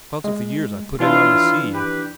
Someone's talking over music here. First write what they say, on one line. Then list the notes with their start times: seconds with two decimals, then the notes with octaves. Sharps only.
Because of the years I put in on the sea.
0.24 G#3
1.00 E3 C#4 D4 E4 F4
1.73 G4 B4